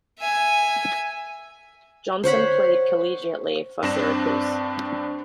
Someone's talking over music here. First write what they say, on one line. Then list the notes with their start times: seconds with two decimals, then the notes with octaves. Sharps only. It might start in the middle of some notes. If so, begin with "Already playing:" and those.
Johnson played collegiately for Syracuse.
0.19 E5 G#5
2.24 C5 C#5 F#5 B5
3.83 G2 C4 D4 A#6 E7